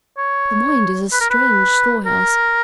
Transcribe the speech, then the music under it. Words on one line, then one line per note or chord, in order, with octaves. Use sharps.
The mind is a strange storehouse.
C#5
B4
A#4
B4
A#4